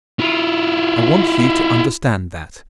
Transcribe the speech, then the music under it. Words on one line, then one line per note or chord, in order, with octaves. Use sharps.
I want you to understand that.
E4 F4